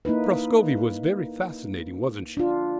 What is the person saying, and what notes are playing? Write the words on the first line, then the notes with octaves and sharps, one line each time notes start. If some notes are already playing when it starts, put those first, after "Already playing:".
"Prascovie was very fascinating, wasn't she?"
A#3 D#4 E4 B4
D4 F4